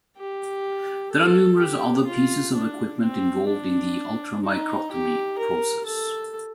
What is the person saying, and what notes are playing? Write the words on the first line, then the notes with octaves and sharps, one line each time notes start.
There are numerous other pieces of equipment involved in the ultramicrotomy process.
G4
A4
G4
F4
D4
C4
D4
D#4
G4
A#4
A4